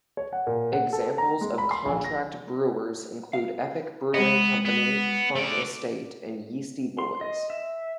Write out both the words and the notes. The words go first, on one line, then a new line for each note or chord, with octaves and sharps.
Examples of contract brewers include Epic Brewing Company, Funk Estate and Yeastie Boys.
C#5
F#5
A#2
F#5
A4
A#5
G#3
B5
C6
A#1
A#6
F5
G#3 B3 C#5 D#5
B3
A3 D5
C6
D#5
E5